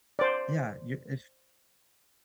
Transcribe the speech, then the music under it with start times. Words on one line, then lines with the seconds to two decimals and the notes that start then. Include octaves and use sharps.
Yeah, you ish
0.19 C5 D5